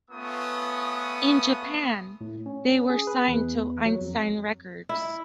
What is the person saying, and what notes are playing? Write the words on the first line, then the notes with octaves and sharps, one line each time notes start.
In Japan, they were signed to Einstein Records.
A3 B3 C#4 F4 D#6
A2
C#4
G#4
B4
E2
F#3
F2
E4